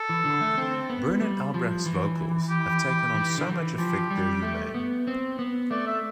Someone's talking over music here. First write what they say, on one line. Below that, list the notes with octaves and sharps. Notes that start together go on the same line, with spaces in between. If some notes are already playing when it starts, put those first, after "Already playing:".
Bernard Albrecht's vocals have taken on so much affect they're humane.
Already playing: A4
E3
D3
A3
C4
B3
G3
F3
E3
G4
E3
D3
E3
F3 G4
G3
A3
B3
C4
B3
A3 D5
E5